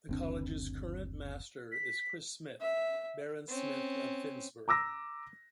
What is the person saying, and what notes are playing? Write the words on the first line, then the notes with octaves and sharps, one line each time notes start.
The college's current master is Chris Smith, Baron Smith of Finsbury.
F#1 D2 C4 D4
B6
E5
C4 C#4
A#5 D6 E6 A#6